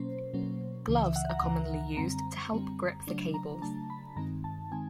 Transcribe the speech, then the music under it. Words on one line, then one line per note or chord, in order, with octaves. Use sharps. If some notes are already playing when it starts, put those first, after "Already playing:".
Gloves are commonly used to help grip the cables.
Already playing: B2 F#3 A#3 C#4 C5
B2 F#3 A#3 C#4
C#2 C#3 E3
E5
F#5
A#5
C#2 C#3 E3
F#2 D3 G3 C4 A#5
F#2 D3 G3 C4
C#3 F#3 A3 D4
A#5
C#3 F#3 A3 D4 A5
B5
G2 D#3 G#3 C4 D#4 A#5
A5
D#3 G#3 C4 D#4 G#5